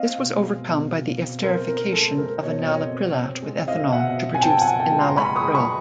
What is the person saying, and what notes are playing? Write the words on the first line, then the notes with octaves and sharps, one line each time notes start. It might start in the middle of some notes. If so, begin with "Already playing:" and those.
This was overcome by the esterification of enalaprilat with ethanol to produce enalapril.
Already playing: C4 D#5 F5
B2
G#3
B2
B2
C4
C4 A#4 C5
C4 A#4
G#3 A4
G#3 A#4
B2 C#5 D#5
C4 C#5 D#5
C4
C4
G#3
C4 D#5 F5
B2 E5 F#5
C4
G#5
C4 G5 A5
F#5 G#5
C4
G5 A5
G#3
A#5 C6
G#3 B5 C#6
C#6 D#6
G#3
B5 C#6